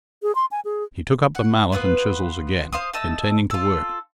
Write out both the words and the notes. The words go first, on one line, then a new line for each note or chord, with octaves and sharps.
He took up the mallet and chisels again, intending to work.
G#4
C6
G#5
G#4
F#5
B3 C4 F4 B4
C5 F5 C6 D#6
A3 D#5 A5 E6
F4 A4